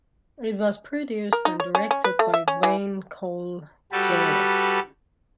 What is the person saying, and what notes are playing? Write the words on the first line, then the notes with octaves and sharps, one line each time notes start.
It was produced and directed by Wayne Coles-Janess.
A#4
D#4
C#5
C#4
C#4
B4
A3
E5
C#4
E3
G3 F#4 G4 A4 B4